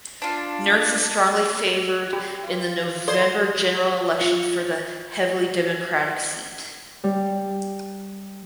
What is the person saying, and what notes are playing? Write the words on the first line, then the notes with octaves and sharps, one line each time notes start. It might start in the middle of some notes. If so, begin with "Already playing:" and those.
Nurse is strongly favored in the November general election for the heavily Democratic seat.
D4 F4
G4
F4
A4 C5 D5
F4
G3